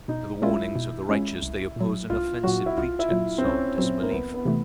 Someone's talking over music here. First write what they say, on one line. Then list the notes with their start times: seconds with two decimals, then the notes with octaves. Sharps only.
To the warnings of the righteous they oppose an offensive pretence of disbelief.
0.08 B2 D#4
0.42 G#3 C#4 E4 F4
0.76 B2
1.09 G#3 C#4 F4
1.42 C2
1.76 A#2 F#3
2.10 C2 F4
2.44 A#2 F#3 F#4
2.66 E4
2.77 C2 F4
2.99 E4
3.11 A#2 F#3
3.38 C4
3.44 C2 C#4
3.78 A#2 F#3 C4
4.03 A#3
4.11 C2 B3
4.34 B3
4.45 C3 E3 A3